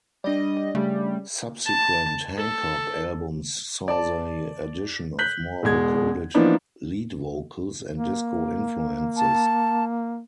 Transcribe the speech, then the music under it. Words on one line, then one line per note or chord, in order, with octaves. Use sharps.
Subsequent Hancock albums saw the addition of more vocoded lead vocals and disco influences.
G3 D4 D5 D#5
C#3 G3 A3
A5
A4
D5 A5
F#6 G6 B6 F#7
E1 B2 G#3 G#6
E3 F3 A#3 B3 D4 D#4
A#3
A5